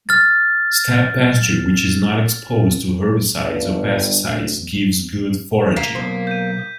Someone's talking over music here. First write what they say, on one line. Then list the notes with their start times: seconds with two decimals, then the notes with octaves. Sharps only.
Steppe pasture which is not exposed to herbicides or pesticides gives good foraging.
0.09 F6 A6
3.42 G1 G2
4.24 D2
5.76 A#3 B6
5.95 B1 C5
6.27 G6 D#7